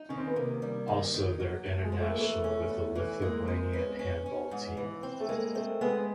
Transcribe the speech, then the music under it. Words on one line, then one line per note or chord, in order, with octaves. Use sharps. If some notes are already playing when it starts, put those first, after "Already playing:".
Also, they’re international with the Lithuanian Handball Team.
Already playing: D#4
D#3 C#4
C4
B3
C3 A#3
G3
D#3
D#3
F#3
A3
G#3
F3
A3
A#3
E3 A3
C#4
E2
E3
G#3 A#3
G#3 C4
B3 C#4
C#4
C#4
G#2
E3
C4
A3
G#3 A#3
A3 C4
G#3 B3